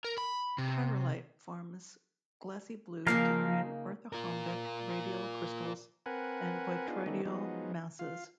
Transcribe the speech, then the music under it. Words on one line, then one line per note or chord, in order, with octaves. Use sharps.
Tyrolite forms glassy blue to green orthorhombic radial crystals and botryoidal masses.
A#4
B5
C3
C#3 F3 A#3 D#4 A#4 F5
F4 A#4
C4 A#4 B4 F#5 G#5
B3 D4 D#4 F4 G#4
D#3 G3 A3 B3 C#4 D#4
F3 F#3 G#3 B3 D#4
F4 F5